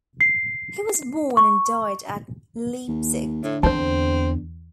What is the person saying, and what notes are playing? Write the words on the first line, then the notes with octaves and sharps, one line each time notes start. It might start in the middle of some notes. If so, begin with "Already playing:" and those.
He was born and died at Leipzig.
C7
C#6
D#2
A2 D3
E2 C4 C5 A5